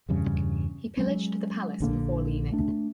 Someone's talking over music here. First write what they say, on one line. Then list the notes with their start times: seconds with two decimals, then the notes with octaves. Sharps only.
He pillaged the palace before leaving.
0.09 E2 G2 C#3 G3
0.97 F#3 G#3 C#4
1.80 A#1 D3 A#3
2.52 A3 D4